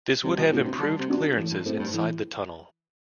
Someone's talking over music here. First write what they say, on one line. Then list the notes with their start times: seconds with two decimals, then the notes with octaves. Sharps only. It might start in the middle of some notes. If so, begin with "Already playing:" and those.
This would have improved clearances inside the tunnel.
0.23 C3 G3
0.37 B2
0.51 A2 B3 D4 F#4
0.65 C3
0.79 D3 G3
0.99 C3
1.08 B3 D4 F#4
1.36 A2 E3
1.51 G2
1.65 A2 A3 C4
1.79 G2
1.93 A2 E3